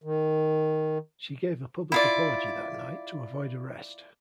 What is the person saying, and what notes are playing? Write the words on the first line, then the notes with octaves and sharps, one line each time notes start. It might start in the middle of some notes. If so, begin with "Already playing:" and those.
She gave a public apology that night to avoid arrest.
D#3
E4 F4 D5